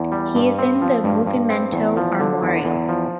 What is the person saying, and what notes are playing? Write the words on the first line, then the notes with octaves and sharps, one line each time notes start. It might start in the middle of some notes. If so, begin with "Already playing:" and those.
He is in the "Movimento Armorial".
Already playing: E2
G3
G2
C4
F3
G2
G2
C4
E2
F3
D3
E2
E2
F3